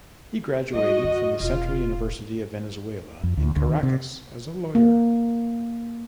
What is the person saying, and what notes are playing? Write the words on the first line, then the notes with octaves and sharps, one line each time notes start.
He graduated from the Central University of Venezuela in Caracas as a lawyer.
G3 F#4 D#5
F#2
E1 F4
F2
D2
D2
D#3
C3
A#3